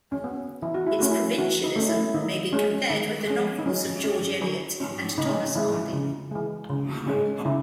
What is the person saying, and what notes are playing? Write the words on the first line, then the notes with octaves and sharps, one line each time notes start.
Its provincialism may be compared with the novels of George Eliot and Thomas Hardy.
C#4
B3
E3 E4
F#4
E4
A3 C#4 F#4
E4
E3 F#4
D#4
A3 C#4
E4
D#3 D#4
G#3 C#4
D#3 D#4
G#3 C#4
D#4
F#3 C#4
C#4
F#3
C#4
C#3 D#4
C#4
D#4
E3 G#3 E4
C#3
E3 G#3
C#3
G#3 C#4
C#3 E4